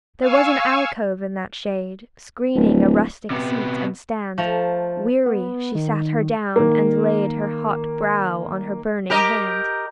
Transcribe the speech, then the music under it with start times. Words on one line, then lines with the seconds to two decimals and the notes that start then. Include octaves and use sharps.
There was an alcove in that shade, Screening a rustic seat and stand; Weary she sat her down, and laid Her hot brow on her burning hand.
0.20 F5 G#5 C#6 E6
2.55 D1
3.30 C3 B3
4.38 F3 A3 A#5
5.26 B3
5.75 D#3
6.56 D#3 A#3
9.10 G4 A#4 D#5